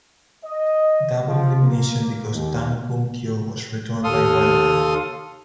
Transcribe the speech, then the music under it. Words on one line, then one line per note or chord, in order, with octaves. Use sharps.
Double elimination because Tan Khun Kyaw was returned by Wild Card.
D#5
F3
A#3
D#2
D#2 A4 F5 C6 D#6